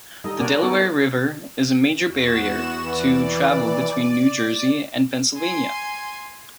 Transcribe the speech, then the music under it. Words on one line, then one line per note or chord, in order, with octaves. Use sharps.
The Delaware River is a major barrier to travel between New Jersey and Pennsylvania.
G3 D#4 A4 D#5
C#4 D4 F#4 A#4 D5 G#5
B3 D#4 A4 C#5 D5
E2 F#4 E7
E3 D5
G#5 C6